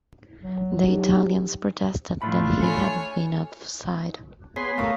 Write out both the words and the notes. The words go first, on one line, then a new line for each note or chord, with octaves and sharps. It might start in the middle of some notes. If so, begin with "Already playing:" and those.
The Italians protested that he had been off-side.
F#3
D#4 G4
A2 A3 D4 F4 B5
A4 C#5 G#5 B5
B3 G#4 C#5 C6 B6 C7
A3 A#4 F5 C#6 D#6